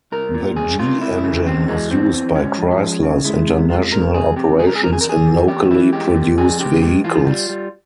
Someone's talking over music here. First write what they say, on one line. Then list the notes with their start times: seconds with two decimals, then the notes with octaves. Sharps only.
The G-engine was used by Chrysler's international operations in locally produced vehicles.
0.12 C2 A#4
0.34 A#2
0.56 C2 G#4
0.79 C3 F4
1.01 C#2 E4
1.24 C#3
1.46 E2 C4
1.68 E3 G#3
1.91 E2 C4
2.13 E3
2.35 G#2 C#4
2.58 F3
2.80 G#3
3.03 C#3
3.25 G#3 E4
3.47 C3
3.69 G#3 F4
3.92 C3 A#4
4.14 F2 G#4
4.36 C3 G4
4.58 C#2 G#4
4.67 A#4
4.76 G#4
4.81 C3 A#4
4.93 G#4
5.01 E2 A#4
5.09 G#4
5.26 E3
5.48 E2 G4
5.71 E3 E4
5.93 G#3 G4
6.15 A#2
6.37 F2 G#4
6.59 C#3 G4
6.82 G#2 G4
7.04 E3 F4
7.26 G3
7.49 G3